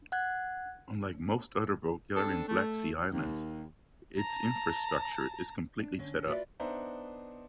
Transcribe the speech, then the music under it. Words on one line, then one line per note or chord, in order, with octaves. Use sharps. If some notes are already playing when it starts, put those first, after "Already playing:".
Unlike most other Bulgarian Black Sea islands, its infrastructure is completely set up.
F#5 F#6 G#6
C4 D4 A4
A3
D#2
A5 A#5
D4
D3 C#4
F4 F#4 B4 C#5 D5 E5
B3 D4 D#4 C5 E5 A#5